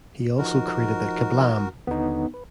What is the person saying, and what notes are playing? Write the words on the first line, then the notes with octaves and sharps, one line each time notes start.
He also created the KaBlam!
F3 D#4 F#4 A#4
D#2 D3 B3 D#4
B4